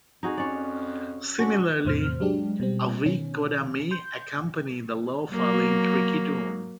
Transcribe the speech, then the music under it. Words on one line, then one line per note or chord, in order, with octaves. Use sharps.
Similarly, a weak coda may accompany the low-falling creaky tone.
F2 D#4 F#4 G#4
F2 C#4 D5
C#4 D4 F#4
E2 A2 C3 C5 F6
F#3 G#3 D4 G4
B2 G3 C4
B2 D#3 C#4
C6 G6
F#3 A#3